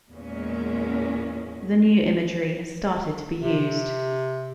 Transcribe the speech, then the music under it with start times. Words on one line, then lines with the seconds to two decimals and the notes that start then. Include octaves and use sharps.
The new imagery has started to be used.
0.11 E2 A#2 G#3 C#4
3.40 C3